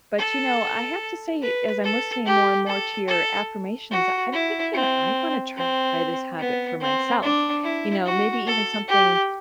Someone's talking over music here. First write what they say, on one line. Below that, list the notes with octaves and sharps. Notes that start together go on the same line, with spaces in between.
but, you know, I have to say, as I'm listening more and more to your affirmations, I'm thinking I wanna try this habit for myself, you know, maybe even something
A4
B4
A4
G4
A4
A4
F#4
E4
C4
C4
B3
C4
D4
E4
F#4
A4
G4